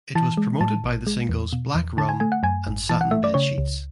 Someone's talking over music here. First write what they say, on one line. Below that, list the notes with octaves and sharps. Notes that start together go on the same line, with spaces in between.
It was promoted by the singles "Black Rum" and "Satin Bedsheets".
E3 A5
G#3
A2 A5
A1
G#3
E2
B2
E2
D3 A5
G#5
A3 G#5
F#5
F#2 G#5
G#1
E3 A5
F#5
A3 E5
D5
C#3 C#5
C#2